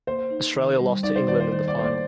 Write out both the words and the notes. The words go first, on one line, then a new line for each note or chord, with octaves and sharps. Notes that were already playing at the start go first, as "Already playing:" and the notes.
Australia lost to England in the final.
A#3 C5
D#4
D#3
G3
D#4 D5
C5
D#3 D5
C5
D#3
D5
A#3 C5
D5